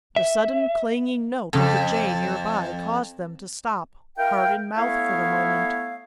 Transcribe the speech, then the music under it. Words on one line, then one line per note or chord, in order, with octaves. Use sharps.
The sudden clanging note of the jay near by caused them to stop, heart in mouth for the moment.
E5
F2 C#3 A4
E4 A#4 F5 G5
A3 B3 E4 C#5 E5 F5